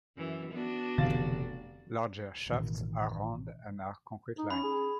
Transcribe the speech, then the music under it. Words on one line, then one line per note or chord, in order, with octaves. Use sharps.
Larger shafts are round and are concrete lined.
F#2 E3
B3 D4 F#4
F1 B2 D3 E3 F5 A6
A1 B2 D#3
D#4
C#4 B5
G#4